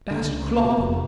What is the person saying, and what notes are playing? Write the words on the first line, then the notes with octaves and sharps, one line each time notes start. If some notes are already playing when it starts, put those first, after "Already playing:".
Bast cloth.
D3
C#2
B2
F1